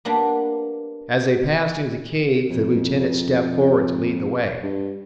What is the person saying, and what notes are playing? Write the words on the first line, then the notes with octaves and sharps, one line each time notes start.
As they passed into the cave the lieutenant stepped forward to lead the way.
G3 A#3 B3 D4
F2
G2